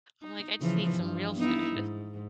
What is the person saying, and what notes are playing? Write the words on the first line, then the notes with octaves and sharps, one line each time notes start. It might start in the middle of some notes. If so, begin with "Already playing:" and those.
I'm like, "I just need some real food."
D#4
C#3 E3 F3
G2 F3
B3 D#4 E4
G#2